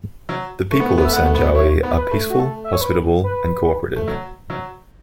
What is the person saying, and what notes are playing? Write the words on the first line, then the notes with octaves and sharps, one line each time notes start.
The People of Sanjawi are peaceful, hospitable, and co operative.
F#3
A3 C#6
B3
A3
B3
A3 E5
B3 F#5
A3
B3
A3
E4 C#5
B3
B4
A3
F#4
A4
E5
C#5
B4
B4
A3
F#3
F#3